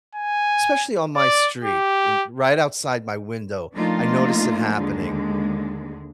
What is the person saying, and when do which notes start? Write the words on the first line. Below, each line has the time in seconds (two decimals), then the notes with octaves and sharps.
especially on my street, and right outside my window, I notice it happening-
0.15 G#5
1.17 D5
1.65 G4
3.72 F3 A3 A#3 D4 D#4 F4
4.77 D#2 D3 G#3